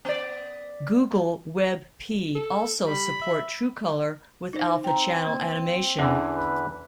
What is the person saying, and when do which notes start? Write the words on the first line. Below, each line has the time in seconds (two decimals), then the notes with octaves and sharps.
Google WebP also support Truecolor with alpha channel animation.
0.05 B3 D5
2.35 A4
2.87 G3 B5
3.22 E5
4.53 D#4 C5
4.84 C4 G5 A#5
5.26 A#3
5.99 E2 D3 E3 C#4 D4 G#4
6.36 B4